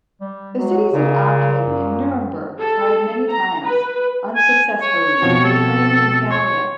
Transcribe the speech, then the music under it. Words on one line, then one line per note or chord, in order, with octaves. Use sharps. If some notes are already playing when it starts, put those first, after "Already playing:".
The cities of Aachen and Nuremberg tried many times, unsuccessfully, to reclaim the regalia.
G3
F#3 G#3
A#2 C#3
F#2
A4
A#5
B4
G#5
C#5
B2 F3 C4
A4
C#5 C6